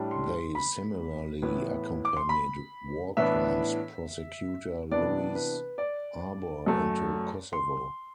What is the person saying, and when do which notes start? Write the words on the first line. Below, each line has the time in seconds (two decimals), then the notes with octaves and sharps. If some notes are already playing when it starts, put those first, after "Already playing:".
They similarly accompanied war crimes prosecutor Louise Arbour into Kosovo.
Already playing: A2 G3 D4
0.11 C6
0.55 B5
1.42 A2 E3 B3 E4
2.05 D6
2.17 C6
2.29 B5
3.17 A2 E3 B3 D4 E5
4.91 C3 E3 B3 D4 D5
5.35 B4
5.78 D5
6.66 F#2 F#3 A3
7.53 C6